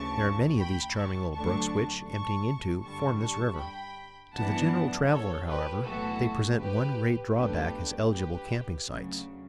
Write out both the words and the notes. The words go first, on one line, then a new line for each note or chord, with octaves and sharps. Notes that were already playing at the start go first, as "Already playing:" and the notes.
There are many of these charming little brooks which, emptying into, form this river. To the general traveler, however, they present one great drawback as eligible camping sites.
Already playing: D2 C#3 E3 A5 C#6
G5 B5
A5 C#6
D2 D3 F#3 A3 D4 A5 C#6
A5 C#6
G2 D3 G3 A5 C#6
A5 C#6
G5 B5
G1 F#2 E3 B3 D4 F#5 A5
A4 C#5
G4 B4
B1 A2 E3 F#4 A4
G4 B4
B1 A2 F#3 A3 D4 G4 B4
G4 B4
D2 C#3 F#3